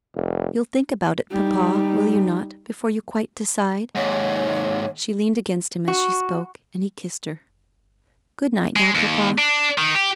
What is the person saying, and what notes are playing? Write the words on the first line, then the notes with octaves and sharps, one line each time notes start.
You'll think about it, papa,--will you not, before you quite decide?" She leaned against him as she spoke, and he kissed her. "Good night, now, papa.
F1
G3 D#4
D#2 G#2 C#5
F#4
G#3
D#2
D4
D#3
G4